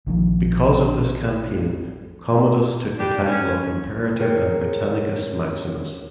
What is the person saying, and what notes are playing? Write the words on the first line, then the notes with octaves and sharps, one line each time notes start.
Because of this campaign Commodus took the title of Imperator and Britannicus Maximus.
A#1 D#3 F3
G3 D4 G4
C#4
G#4 A#4 C5 C#5 G5